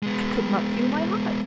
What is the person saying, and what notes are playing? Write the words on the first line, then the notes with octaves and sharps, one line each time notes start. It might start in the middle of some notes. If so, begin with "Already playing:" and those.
I could not feel my heart.
G#3 B3